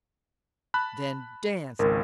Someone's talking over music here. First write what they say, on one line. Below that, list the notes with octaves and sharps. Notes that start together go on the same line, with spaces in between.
Then dance!
A5 B5 F#6
G#1 C#2 A#4